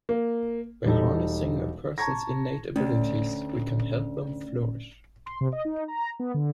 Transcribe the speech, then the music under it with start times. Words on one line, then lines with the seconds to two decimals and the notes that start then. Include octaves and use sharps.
By harnessing a persons innate abilities we can help them flourish.
0.09 A#3
0.85 E1 G3 D#4 A4
1.98 A5 A#5 C#6 G#6 A#6
2.76 D2 C#4
5.26 C6
5.41 C3
5.53 D#5
5.65 D#4
5.88 A#5
6.19 B3
6.34 D3